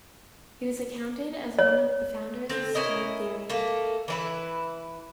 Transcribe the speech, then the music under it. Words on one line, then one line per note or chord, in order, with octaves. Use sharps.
He was accounted as one of the founders of string theory.
C#5
D3 C4
C#4 E4 A#4 D#5
A3 A#3
E3 E4 B4